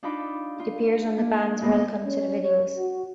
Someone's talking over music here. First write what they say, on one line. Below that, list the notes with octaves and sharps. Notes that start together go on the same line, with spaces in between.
It appears on the band's "Welcome to the Videos".
D4 D#4 F4 B5 D6
F4
A#3
F#2 A2 G#3 A#3 B3
C#4
C#5
F#4